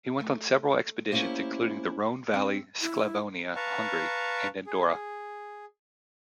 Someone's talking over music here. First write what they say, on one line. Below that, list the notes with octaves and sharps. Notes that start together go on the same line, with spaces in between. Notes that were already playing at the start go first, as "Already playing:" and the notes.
He went on several expeditions including the Rhone Valley, Sclavonia, Hungary and Andorra.
A3
A3 A#3 C#4 E4 G4 C5
C4
E4
B4 F5 A5 A#5 C#6
G#4